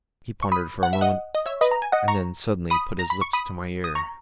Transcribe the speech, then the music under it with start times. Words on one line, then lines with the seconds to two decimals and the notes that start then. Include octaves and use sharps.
He pondered for a moment, and then suddenly put his lips to my ear.
0.43 C#6
0.52 B5 D#6
0.83 F#5
0.93 E5
1.01 D#5 F#5
1.35 D#5
1.46 C#5 E5
1.61 B4 D#5
1.71 A#5
1.82 G#5
1.92 D#5 F#5
2.08 A#5 C#6
2.70 B5 D#6
2.99 A#5
3.10 B5
3.21 C#6
3.33 B5 D#6
3.84 D#6
3.95 A#5 C#6